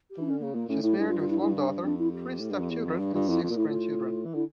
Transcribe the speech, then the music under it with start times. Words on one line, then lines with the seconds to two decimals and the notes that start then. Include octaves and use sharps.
She is married with one daughter, three stepchildren and six grandchildren.
0.11 G4
0.18 E3 D4
0.26 D3 C#4
0.40 C#3 A#3
0.54 A#2 A#3
0.69 A2 C#4
0.83 A2 E4
0.98 G2 E4
1.08 F4
1.20 F4
1.30 E4
1.41 E4
1.56 D4
1.84 F2 D4
1.99 E4
2.13 G4
2.40 A2
2.50 G2
2.61 F2
2.70 E2
2.86 F2
2.99 G2
3.14 G2 F4
3.29 F2 E4
3.43 F2 F4
3.50 A#2
3.56 A2 E4
3.68 F4
4.26 E3
4.34 D3 E4